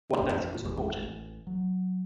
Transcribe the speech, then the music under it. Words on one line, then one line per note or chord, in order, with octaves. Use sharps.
One death was reported.
A1 F2 A#2 D4
G#1 E2 G#3
A1
F#3